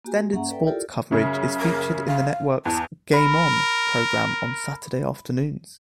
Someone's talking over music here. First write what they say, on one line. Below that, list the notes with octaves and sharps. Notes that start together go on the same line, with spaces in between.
Extended sports coverage is featured in the network's "Game On" programme on Saturday afternoons.
A#3 F#4 G4 G#5
G#4
A#3 C#4 E5 F#5 A#5
A4 B4 D5 E5 G5
E4 F4 G4 A4 A#4 D5
F#2 C#3
A#4
F5
E2 A5
A#4 B5